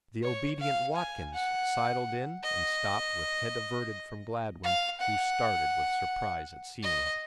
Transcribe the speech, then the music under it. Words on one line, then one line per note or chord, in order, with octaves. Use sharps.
The obedient Watkins sidled in and stopped with head averted from Gladwin, who started with surprise at seeing him.
C#5
F5
G#5
F#5
D#5
F5
F#5
D#5